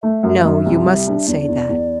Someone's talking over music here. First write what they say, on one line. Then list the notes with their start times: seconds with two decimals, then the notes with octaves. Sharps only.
No; you mustn't say that.
0.03 A3 E5
0.23 F#2
0.45 F#2
0.66 C2
0.86 G3
1.07 D4
1.27 E2 D5
1.48 E2
1.69 E2